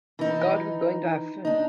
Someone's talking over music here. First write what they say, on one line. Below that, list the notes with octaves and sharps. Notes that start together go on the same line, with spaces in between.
God we're going to have fun.
E3 D#4
D4 D#4